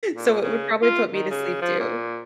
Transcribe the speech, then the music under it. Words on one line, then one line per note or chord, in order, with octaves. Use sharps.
So, it would probably put me to sleep too.
A#2
C#3
F4
D#3
C#3
F3
A#2